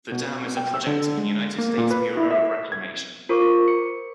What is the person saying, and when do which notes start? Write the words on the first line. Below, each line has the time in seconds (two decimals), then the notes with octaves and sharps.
The dam is a project of the United States Bureau of Reclamation.
0.12 B2
0.57 G5
0.74 E6
0.86 D3
1.17 G#3
1.58 A#3
1.78 A#2
1.91 B4
2.17 E4
2.31 E5
2.72 G#6
3.29 F4 A#4 C5 C#6 D6
3.68 C#7